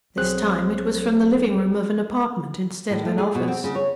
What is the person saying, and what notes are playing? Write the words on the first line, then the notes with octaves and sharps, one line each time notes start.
This time, it was from the living room of an apartment instead of an office.
B1 F#3 C4 G#4 C5 F#6
A2
A3
G#4
B2
C4
C#3
C#5